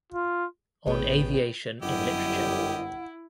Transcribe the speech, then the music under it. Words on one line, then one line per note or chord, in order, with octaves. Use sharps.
On aviation in literature.
F4
A1 B3 G#4 C#5 G5
G1 F#2 E4 G4 D#5 F#5